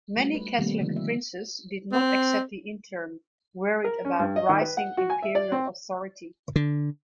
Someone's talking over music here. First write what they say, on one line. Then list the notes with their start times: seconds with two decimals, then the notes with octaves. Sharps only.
Many Catholic princes did not accept the Interim, worried about rising imperial authority.
0.17 G3 A3 F#4
0.35 B4
0.57 B2 D#3 G3 A3 A#3 C4
0.81 D3 F3 G3 D#4
0.96 E5
1.92 C4
3.84 A#4
4.05 C#4
4.19 G2
4.36 D#5
4.49 D#3
4.61 B4
4.77 F#5
4.97 F#4
5.10 G#5
5.22 E5
5.35 D5
5.52 C4
6.56 D3